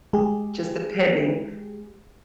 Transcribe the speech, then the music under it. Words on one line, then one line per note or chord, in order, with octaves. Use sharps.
just depending,
G#3 G4 G#4